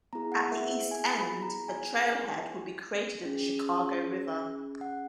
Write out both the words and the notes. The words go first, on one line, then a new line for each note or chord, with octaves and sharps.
At the east end, a trailhead would be created at the Chicago River.
B3 E4 G#4 A#5
F#5
E5
G#5
B5
A#5
G#5
C#4 G#4
F#5